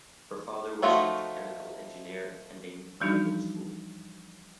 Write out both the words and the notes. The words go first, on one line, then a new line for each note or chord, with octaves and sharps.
Her father was a chemical engineer attending medical school.
F3 A3 D#4 F4 F#4
E3 F3 G3 D4 D#4 F#4